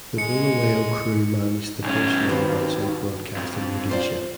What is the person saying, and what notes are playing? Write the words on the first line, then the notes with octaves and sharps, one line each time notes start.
The Bulawayo crew managed the first live outside broadcast in Rhodesia.
G#3 C#7
B1 C#4
D#2 C4 F#4 B4
F2
F4 C5 D5